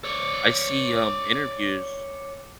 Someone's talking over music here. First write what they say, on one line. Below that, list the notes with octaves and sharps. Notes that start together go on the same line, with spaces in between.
I see, um, interviews
C#5 D5